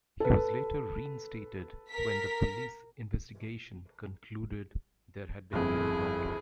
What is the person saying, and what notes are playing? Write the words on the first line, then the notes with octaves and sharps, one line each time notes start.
He was later reinstated when the police investigation concluded there had been no wrongdoing.
A4 B4
A#4 B6
G1 F2 E4 G#4